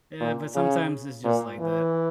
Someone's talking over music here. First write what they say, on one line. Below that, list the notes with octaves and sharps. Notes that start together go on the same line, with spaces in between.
Yeah, but sometimes it's just like that.
A#2
C#3
A#2
E3